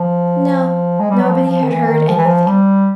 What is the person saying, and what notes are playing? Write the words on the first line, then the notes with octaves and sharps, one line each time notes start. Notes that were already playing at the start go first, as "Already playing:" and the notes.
No, nobody had heard anything.
Already playing: F3
G#3
G3
F#3
F3
F3
D#3
E3
D#3
F3
E3
F3
G3